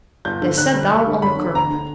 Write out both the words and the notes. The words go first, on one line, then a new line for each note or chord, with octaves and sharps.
They sat down on the curb.
G1 G6
D3
D3 F#6
G3
G3 C#6
D3
F#2 B5
D3
D2 A#5
D3